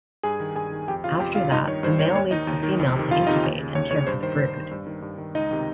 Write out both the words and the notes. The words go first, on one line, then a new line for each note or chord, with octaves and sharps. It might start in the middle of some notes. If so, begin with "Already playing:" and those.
After that, the male leaves the female to incubate and care for the brood.
G2 G#4 G#5
D#3
G2 G#4 G#5
D#3
F2 G4 G5
C#3 F4 F5
F2 G4 G5
C#3 F4 F5
G2 D#4 D#5
D#3 C#5
G2 C5
D#3 C#5
D#2 C#5
D#3 D#4 D#5
D#2
D#3
F2
C3 D#3
F2 F4 F5
C3 D#3 D#4 D#5
D#2
C#3
D#2 C#5
C#3 C#5
G2 C5
D#3 C5
G2 C5
D#3
G2
D#3
G2
D#3
C#2 D#4 D#5
C3 D#3